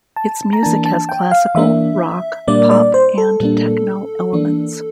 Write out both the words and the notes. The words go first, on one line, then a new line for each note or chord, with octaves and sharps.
Its music has classical, rock, pop, and techno elements.
A5
A#5
E3 A#3 D4 A5
A5
G5
F5
E3 A#3 D4 E5
A#2 G3 A#3 D4 D5
D5
C5
A4
A#2 G3 A#3 D4
E3 A#3 D4